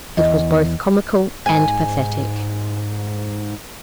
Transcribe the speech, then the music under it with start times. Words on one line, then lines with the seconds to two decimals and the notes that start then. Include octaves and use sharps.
It was both comical and pathetic.
0.17 E2 D#5
1.46 G#2 G#5